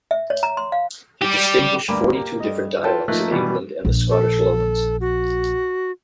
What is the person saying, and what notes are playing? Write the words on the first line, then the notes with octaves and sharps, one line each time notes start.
He distinguished forty-two different dialects in England and the Scottish Lowlands.
E5
C#5
A#5
C6
F5
G3 G4
D2 G2 A#3 B5 D6
A#3 G4
G2 D#5
F4 A4 B4 G5 A5
F3 A3 A#3 D#4 F#6
B2 E3 G3
A#1 F3
A4
F#4